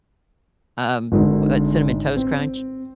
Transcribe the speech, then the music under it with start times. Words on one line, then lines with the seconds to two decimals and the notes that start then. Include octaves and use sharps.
um, what Cinnamon Toast Crunch.
1.12 G#1 G#2 D3
2.17 C4